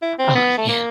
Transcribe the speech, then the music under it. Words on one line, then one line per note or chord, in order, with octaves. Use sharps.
Oh, yeah
E4
C4
B3
A3
A#3